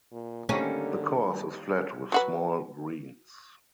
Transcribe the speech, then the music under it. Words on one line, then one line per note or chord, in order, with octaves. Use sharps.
The course is flat with small greens.
A#2
D3 D#3 G3 A#3 C#4
F#3 F#4 B4